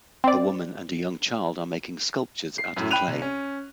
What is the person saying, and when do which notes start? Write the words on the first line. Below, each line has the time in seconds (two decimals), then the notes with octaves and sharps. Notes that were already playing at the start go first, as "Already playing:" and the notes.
A woman and a young child are making sculptures out of clay.
0.24 C4 D5
2.58 C7
2.76 F#2 A2
2.91 G5 B5 F#6 D#7 F7
3.08 C2
3.22 C#4